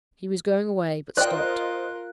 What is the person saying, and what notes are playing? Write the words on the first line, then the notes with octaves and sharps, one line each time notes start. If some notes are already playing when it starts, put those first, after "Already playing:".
He was going away, but stopped.
F4 A#4 C5 D5 D#5 G5 F#6